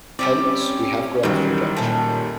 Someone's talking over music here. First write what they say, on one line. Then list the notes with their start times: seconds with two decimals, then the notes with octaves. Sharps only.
Hence we have graph reduction.
0.19 G3 C4 C#4 G4 D5
1.23 F#2 D#3 E3 F#3 G3
1.77 A#2 A3 C#4